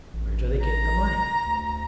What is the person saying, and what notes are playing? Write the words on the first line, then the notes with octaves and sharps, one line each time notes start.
"Where do they get the money?"
A1
A#5
D2